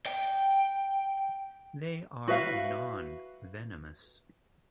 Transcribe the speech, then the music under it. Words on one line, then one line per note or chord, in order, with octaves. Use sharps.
They are non-venomous.
G5
F#4 B4 E5 F5